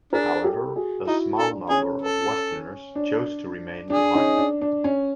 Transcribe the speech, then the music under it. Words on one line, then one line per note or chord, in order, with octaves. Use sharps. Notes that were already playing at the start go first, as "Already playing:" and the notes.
However, a small number of Westerners chose to remain behind.
D4 G#4 A#4
G4 A4
F#4 G#4
D#4 E4 F#4
D4 A4
C#4 G#4
A4
D4
D4 G#4
C#4 D#4
D4
D4
C#4